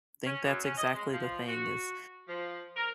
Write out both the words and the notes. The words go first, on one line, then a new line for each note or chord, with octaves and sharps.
think that's exactly the thing is,
C#4
F#2
C#4
D#5
G#3
F3
F#4
F3
A#4